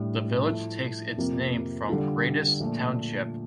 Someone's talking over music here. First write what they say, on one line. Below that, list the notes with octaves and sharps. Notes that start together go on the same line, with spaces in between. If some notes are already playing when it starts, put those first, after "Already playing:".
The village takes its name from Gratis Township.
Already playing: A2 G3 D4
F3 A3 E4
F2 C3 F3 A#3
D3 G3 D4 F4 A4
A#2 F3 A3